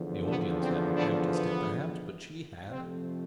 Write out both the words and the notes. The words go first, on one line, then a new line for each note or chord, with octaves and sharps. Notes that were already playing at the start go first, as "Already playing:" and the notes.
The audience hadn't noticed it, perhaps, but she had.
Already playing: E2 D3 F3
B3 D4
C4
B3 D4
B3
F2 C3 F3 A3 C4